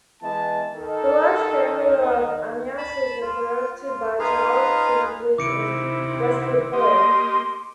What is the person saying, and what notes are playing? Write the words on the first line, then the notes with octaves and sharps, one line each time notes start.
The large family of Amyas is referred to by Charles Kingsley in Westward Ho!
E3 G#3 B3 A5
D#3 A4
A5 B5
F4
F4
D#4 F4 G#4 B4 F5
C3 D#3 C4 E4 D6 C#7 D7
A#3 G4 D#5 C6